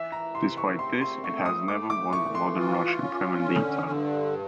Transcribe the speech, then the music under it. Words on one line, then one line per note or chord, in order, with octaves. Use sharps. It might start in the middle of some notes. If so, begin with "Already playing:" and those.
Despite this, it has never won the modern Russian Premier League title.
Already playing: E3 E5
A#5
C3 C6
C#6
C4 C6
C6
A3 C#6
D#6
A3 D6
D6
E3 C#6
C6
F4
C#4
D3
G2